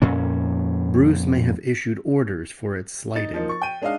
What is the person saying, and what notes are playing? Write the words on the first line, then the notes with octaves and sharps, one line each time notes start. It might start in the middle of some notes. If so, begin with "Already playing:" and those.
Bruce may have issued orders for its slighting.
F2 A#2 C#4
D#4 A6 C#7
F3 A#3 D#4
C#6
G5 D#7
G#3 D4 D#4 D#5 F5